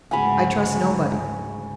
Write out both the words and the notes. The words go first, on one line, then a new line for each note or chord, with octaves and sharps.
I trust nobody.
D2 G#2 C#3 F#3 B3 G#5 B5